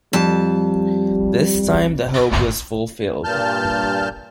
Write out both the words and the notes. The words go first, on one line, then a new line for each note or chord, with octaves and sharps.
This time the hope was fulfilled.
F2 G3 A5
G2 A#2 A5 F6 G6